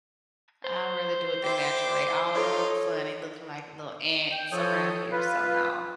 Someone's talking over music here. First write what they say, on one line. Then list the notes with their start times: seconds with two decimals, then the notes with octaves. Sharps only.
I'd rather do it the natural they all look funny looking like little ants around here, so, no.
0.64 C5
1.44 E4 G5 D6
2.34 D#4 F4 A4 C#5 D6
4.32 G5
4.52 F3 A4 C#5 D#6 G6
5.12 F4 B4